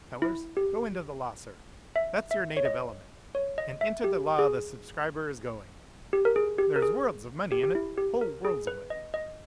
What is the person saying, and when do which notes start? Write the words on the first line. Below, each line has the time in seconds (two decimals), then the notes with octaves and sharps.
Sellers--go into the law, sir; that's your native element!' And into the law the subscriber is going. There's worlds of money in it!--whole worlds of money!
0.22 E4
0.57 G4
1.96 E5
2.31 E5
2.57 C#5
2.65 D#5
3.35 C#5
3.58 D#5
3.81 E5
4.04 G4
4.39 G#4
6.13 G4
6.25 A#4
6.36 G#4
6.58 G4
6.76 A#4
6.82 G#4
7.52 G4
7.63 G4
7.75 E4
7.98 G4
8.21 A#4
8.45 G#4
8.67 B4
8.90 D#5
9.14 D#5